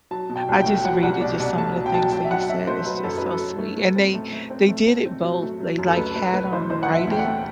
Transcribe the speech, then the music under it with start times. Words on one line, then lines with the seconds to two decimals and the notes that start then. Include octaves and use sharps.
I just read it, just some of the things that he said, it's just so sweet and they they did it both. They, like, had him write it
0.11 F#3 A5
0.30 B2
0.36 G5
0.49 C2
0.60 G5
0.66 A3
0.84 F#3 F#5
1.03 C2 F#5
1.21 B2 D5
1.39 C2 D5
1.57 A3 A5
1.76 B2
1.86 G5
1.94 F#3 A5
2.12 F#3 G5
2.24 E5
2.31 F#3 F#5
2.49 F#3 E5
2.67 A3 C5
2.86 F#3 B4
3.04 F#2 A4
3.18 F#3 B4
3.30 A4
3.41 F#3
3.58 A3
3.77 A3
3.96 C4
4.14 A3
4.33 A3
4.50 C4
4.69 A3
4.87 C4
5.06 C4
5.24 F#3
5.42 A3
5.60 F#3
5.78 F#2
5.88 A4
5.96 D2 B4
6.15 A3 B4
6.34 D2 B4
6.52 E3 C5
6.70 E3 C5
6.83 F#5
6.89 E3
6.94 E5
7.07 D2 G5
7.19 F#5
7.25 A3